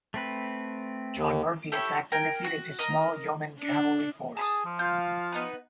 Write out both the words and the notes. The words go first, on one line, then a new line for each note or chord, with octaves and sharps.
John Murphy attacked and defeated a small yeoman cavalry force.
A3 C4 B4
D#2
E4 G4 A4 C#5
A#4 G5 G#5
F#4
A#4 D#5
D4
G#4 A5 B5 D#6
F3
F4 F5 G6
B3 D#4 B4